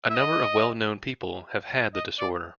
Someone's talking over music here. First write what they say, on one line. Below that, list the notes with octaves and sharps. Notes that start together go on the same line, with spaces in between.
A number of well-known people have had the disorder.
E5
D#5
D#5
D5